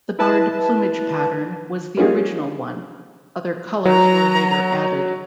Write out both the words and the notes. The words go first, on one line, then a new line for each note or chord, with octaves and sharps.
The barred plumage pattern was the original one; other colors were later added.
E4 B4 A5
G3 A#3 C#4 D#4 F4 G#4
F#3 A#5